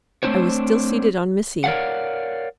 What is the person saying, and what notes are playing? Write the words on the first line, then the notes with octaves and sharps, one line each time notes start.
I was still seated on Missy.
A3 C4 D4 D#4 C5 C#5
A#4 C#5 D5 F5 F#5